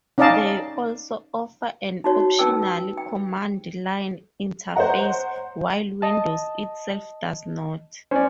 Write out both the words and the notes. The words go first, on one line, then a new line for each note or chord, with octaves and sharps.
They also offer an optional command-line interface, while Windows itself does not.
C#4 D#4 D5 D#5 F5 A5
D#4 F#4 C#5
C#4 D#4 B4 G5 E6
G5
C5 C#5 D#5 F#5 A#5
D#5 A5
C#4 C5 D5